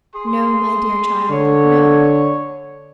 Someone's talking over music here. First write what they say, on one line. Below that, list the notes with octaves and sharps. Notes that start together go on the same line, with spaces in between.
No, my dear child; no.
G#4 C6
D3 C#5